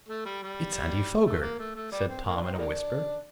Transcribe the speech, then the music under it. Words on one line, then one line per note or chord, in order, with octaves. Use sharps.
"It's Andy Foger!" said Tom, in a whisper.
A3
G3
G3
A3
A#3
A3
A3
G3
C4
A#3
D4
C4
D#4
G3 A#3 D4